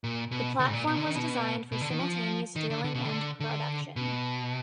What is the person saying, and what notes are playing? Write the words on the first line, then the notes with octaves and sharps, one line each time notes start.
The platform was designed for simultaneous drilling and production.
A#2
B2
D3
G#2
A#2
B2
D3
D#3
B2
B2
D3
D#3
F3
D#3
D3
D3
B2
D3
D3
B2